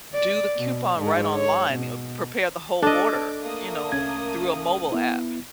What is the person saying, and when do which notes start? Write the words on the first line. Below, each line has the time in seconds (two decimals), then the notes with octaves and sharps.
do the coupon right online, uh, prepare the whole order, you know, through a mobile app,
0.14 D5
0.57 B2
0.99 G#2
1.35 C#5
1.72 B2
2.83 D4 A4 D#5 D6
3.42 A3 A#3 D#6
3.92 C2 C#4 G#6
4.92 B3 E4